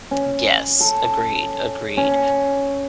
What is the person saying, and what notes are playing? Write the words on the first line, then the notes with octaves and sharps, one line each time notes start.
M yes, agreed, agreed.
C#4
A4
C#4